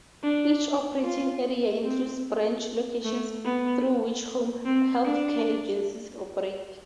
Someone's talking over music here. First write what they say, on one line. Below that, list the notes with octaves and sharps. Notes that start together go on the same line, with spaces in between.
Each operating area includes branch locations, through which home healthcare agencies operate.
D4
F4
C4
A3
B3
C4
D4